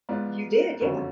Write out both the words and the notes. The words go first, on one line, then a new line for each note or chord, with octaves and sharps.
You did. Yeah.
G#2 G#3 B3 F4 D5
F#1 F2 D3 F#3 C#4